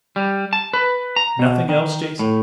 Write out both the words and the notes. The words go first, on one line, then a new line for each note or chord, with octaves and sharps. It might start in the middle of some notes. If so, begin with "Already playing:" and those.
"Nothing else, Jason?"
G3
A5
B4
A#5
B2
D#3
A2